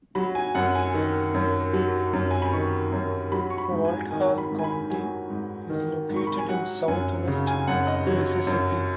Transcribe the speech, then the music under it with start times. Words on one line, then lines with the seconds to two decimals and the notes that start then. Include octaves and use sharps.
Walthall County is located in Southwest Mississippi.
0.15 F#3 B5
0.35 G#5
0.55 F#2 F#5
0.75 G#5
0.94 D#3
1.34 F#2
1.73 F#3
2.13 F#2
2.31 G#5
2.42 B5
2.53 D#3 C#6
2.92 F#2
3.32 F#3 B5
3.50 C#6
3.58 B5
3.71 G#2
3.85 G#5
4.11 D#3 G#5
4.38 B5
4.51 G#2
4.59 G#5
4.64 B5
4.90 F#3 G#5
5.30 G#2
5.70 D#3
6.10 G#2
6.16 C#6
6.27 B5
6.39 G#5
6.48 F#3 F#5
6.88 F#2 G#5
7.27 C#3
7.47 G#5
7.67 F#2 F#5
7.87 D#5
8.07 F#3 C#5
8.47 F#2